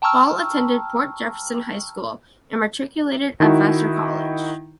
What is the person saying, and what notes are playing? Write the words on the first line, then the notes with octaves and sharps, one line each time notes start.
Ball attended Port Jefferson High School, and matriculated at Vassar College.
G5 A5 A#5 C#6 E6 F6
D#3 D#4 E4 F#4